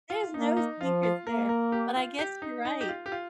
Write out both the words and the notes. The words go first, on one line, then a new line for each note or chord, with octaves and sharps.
There's no secrets there, but I guess you're right.
F4
A#3 D#4
D#4
F3 F4
F4
A#3 A#4
A#4
G4
F4
G4
D#4
D#4
G4
F4
G4
F4